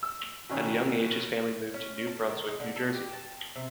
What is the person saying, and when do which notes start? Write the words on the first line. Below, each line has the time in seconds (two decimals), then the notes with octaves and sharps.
At a young age, his family moved to New Brunswick, New Jersey.
0.03 E6
0.49 B2 D#3 C#4
1.74 C#4
2.07 A5
2.29 D#3
2.48 G#3
2.60 D3
2.76 A4
2.94 G4
3.13 A5
3.55 C3